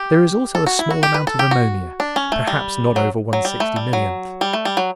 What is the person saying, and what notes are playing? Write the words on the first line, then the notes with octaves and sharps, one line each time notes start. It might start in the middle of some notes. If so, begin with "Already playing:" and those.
There is also a small amount of ammonia, perhaps not over one-sixty-millionth.
Already playing: G4
A4
F#4
E4
F#4
G4
B4
A4
G4
F#4
D4
C#4
A3
G3
F#3
F#3
G3
A3
G3
F#3
G3
A3
G3
F#3